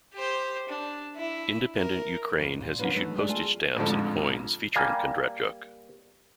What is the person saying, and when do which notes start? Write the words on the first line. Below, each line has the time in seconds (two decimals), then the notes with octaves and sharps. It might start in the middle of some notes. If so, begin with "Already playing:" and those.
Independent Ukraine has issued postage stamps and coins featuring Kondratyuk.
0.14 G4 C5
0.69 D4
1.16 E4
1.75 A#4
2.38 F2 A#3
2.61 A#2
2.79 D3 F#3 A#3 C#4 F4 B4
2.95 E3 A3 D#4
3.15 G#3 A3 D4 G#4
3.29 A3 F4 G#5
3.76 A1 F2 G#2 D3 F3
4.76 G3 A#3 G#5